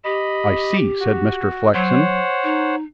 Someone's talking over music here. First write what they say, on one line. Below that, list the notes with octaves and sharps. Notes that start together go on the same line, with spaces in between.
"I see," said Mr. Flexen.
G4 D#5 B5
F#4
F#3 C5 C#5 F#5
D#4